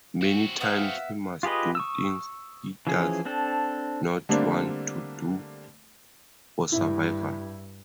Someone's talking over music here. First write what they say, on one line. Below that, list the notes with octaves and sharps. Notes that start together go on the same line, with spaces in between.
Many times he must do things he does not want to do, for survival.
C4 F#4
B3 E5 F5
F4 G4 G#4 B4 D#5
C#6 D#6 E6
E3 F3 C#4 G#4
C4 D4 A4
D3 G3 A3 A#3 C4 D4
G2 E4